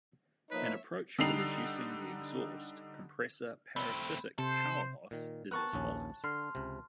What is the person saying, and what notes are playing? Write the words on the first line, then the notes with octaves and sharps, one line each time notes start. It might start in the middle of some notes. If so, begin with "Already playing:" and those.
An approach for reducing the exhaust compressor parasitic power loss is as follows.
F3 A#3 D#4 B4 C#5 E5
D3 G3 D4 D#4 C7 F7
A3 C4 B5
C3 A4 C5
A#2 D#3
B3 A#4 A5 C#6 F#6
A#1 D#2 C#4
D3 C6 F6 C7
C#2 C3